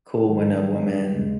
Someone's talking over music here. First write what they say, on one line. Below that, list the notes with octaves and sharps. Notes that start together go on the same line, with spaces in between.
cool when a woman
G#2 D#3 F#3
D#2 C#3 G#3